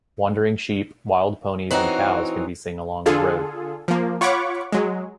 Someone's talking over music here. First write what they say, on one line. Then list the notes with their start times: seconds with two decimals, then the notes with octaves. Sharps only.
Wandering sheep, wild ponies and cows can be seen along the road.
1.71 E3 C4 C#4 D#4 F#4
3.06 D3 F4 G#4 A4
3.88 F3 A#3
4.21 F4 C#5 F#5 B5 C#6 D6
4.72 F#3 G#3